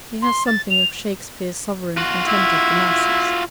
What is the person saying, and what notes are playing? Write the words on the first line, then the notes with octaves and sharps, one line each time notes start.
He has something of Shakespeare's sovereign contempt of the masses.
C6
A6
F7
F4 F#4
E4